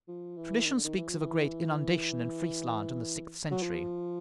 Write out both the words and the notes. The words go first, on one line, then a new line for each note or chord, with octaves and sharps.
Tradition speaks of a great inundation in Friesland in the sixth century.
F3
E3
D#3
D3
D#3
E3
F3
E3
F#3
F3